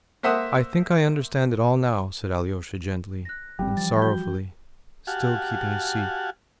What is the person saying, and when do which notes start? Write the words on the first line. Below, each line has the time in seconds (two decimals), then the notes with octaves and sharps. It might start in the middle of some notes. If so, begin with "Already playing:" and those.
"I think I understand it all now," said Alyosha gently and sorrowfully, still keeping his seat.
0.23 A#3 C5 E5 F#5 D#6
3.25 F#6 A#6
3.59 F#1 G3 C4
3.77 E3 F3 A6
4.01 F#4 G6 G7
5.07 F#4 G4 F5 F#5 G#5 A5